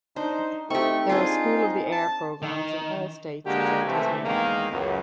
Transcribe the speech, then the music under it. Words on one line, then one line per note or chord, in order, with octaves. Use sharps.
There are School of the Air programmes in all states except Tasmania.
D4 D#4 C5
A3 C4 D#4 G4 C#6
C4 D4 F4 G#4 G#5
A5
D#3
D3 G#3 A#3 F#4 G4
C3 E3 A3
E2 D#3 G#3 A#3
C#2 F#2